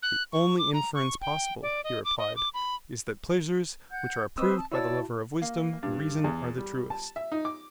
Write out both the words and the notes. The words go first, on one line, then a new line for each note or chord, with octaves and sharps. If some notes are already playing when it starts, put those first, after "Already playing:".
The only inference possible, he replied, is that pleasures which are approved by the lover of wisdom and reason are the truest.
F#6
C#6
D6
A#5
C#6
G5
D5
D#5
D6
D#5
D6
B5
F#5 G6
C4 B4 C5 D#5 D#6 E6
A5
E4 F#4 C#5 D5 A5 E6
A#3
G2
E2
G3
A5
E5
D#4
D6